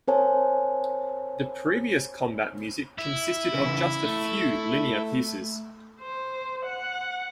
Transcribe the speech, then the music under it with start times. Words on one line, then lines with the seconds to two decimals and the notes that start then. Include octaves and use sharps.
The previous combat music consisted of just a few linear pieces.
0.08 C4 A#4 C5 C#5 G#5 A5
2.98 E4
3.55 C#3 E3
4.04 A3
6.00 C5
6.65 F#5